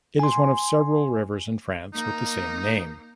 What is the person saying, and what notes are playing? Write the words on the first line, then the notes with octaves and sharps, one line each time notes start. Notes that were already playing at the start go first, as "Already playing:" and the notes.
It is one of several rivers in France with the same name.
G#5 C6
A#3 D#4